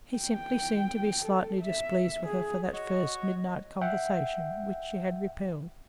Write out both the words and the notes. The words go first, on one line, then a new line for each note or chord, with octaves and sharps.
He simply seemed to be slightly displeased with her for that first midnight conversation, which she had repelled.
G5
A4
E5
G#4
F#4 C#5 D#5
E5 F#5 G5